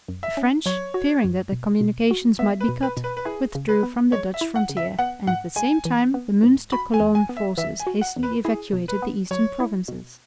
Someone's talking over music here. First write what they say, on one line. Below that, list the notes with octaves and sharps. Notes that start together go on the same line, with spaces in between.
The French, fearing that their communications might be cut, withdrew from the Dutch frontier; and at the same time the Muenster-Cologne forces hastily evacuated the eastern provinces.
F#2
E5
C#4
F#3 C#5
F#4
F#2
B2
B2
F#4
B3 E5
B4
B2
B4
B2
B4
B4
E4 G#4
C#3
B4
B3
G#3 C#5
E5
E4
F#5
C#3
E5
B3 F#5
G#2 F#5
G#3 G#5
E3
B3
G#2
F#4 B5
G#5
E2
G#5
B3
E5
E3 E5
G#5
F#4
F#5
E2
B4
E4 G#4
B2
B4
B3
F#3 C#5
E4
B2